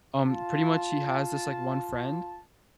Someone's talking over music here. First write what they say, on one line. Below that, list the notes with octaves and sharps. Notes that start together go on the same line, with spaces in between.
um, pretty much he has this like one friend.
F4 A5